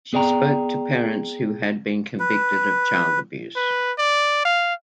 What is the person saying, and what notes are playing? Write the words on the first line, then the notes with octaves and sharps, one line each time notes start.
She spoke to parents who had been convicted of child abuse.
B3 G#4 D5 G5 A#5
B4
B4
D5
F5